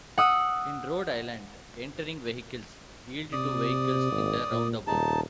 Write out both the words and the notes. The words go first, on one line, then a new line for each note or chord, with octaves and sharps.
In Rhode Island entering vehicles Yield to vehicles in the roundabout.
F#5 D#6 E6
C3 D5 D#6
G#1
A#2
D#1 D#4 A5